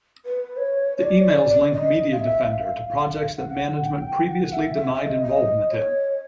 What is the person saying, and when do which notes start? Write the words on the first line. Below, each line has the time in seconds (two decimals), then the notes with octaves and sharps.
The emails link MediaDefender to projects that management previously denied involvement in.
0.25 B4
0.57 C#5
0.97 C#5
1.03 D5
1.50 D5
1.73 D#5
2.12 F5
2.20 E5
2.43 F5
2.89 F5
3.37 F#5
3.83 G5
4.29 F#5
4.53 E5
4.76 E5
4.94 E5
4.99 D#5
5.23 D#5
5.69 C#5